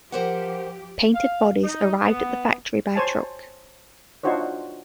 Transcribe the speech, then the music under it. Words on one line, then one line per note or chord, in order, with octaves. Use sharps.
Painted bodies arrived at the factory by truck.
F3 G4 A#4 C5 F#5
F5
D#4
B3
C5 C#5 G#5 A5
D4 D#4 F4 F#4 C5 C#5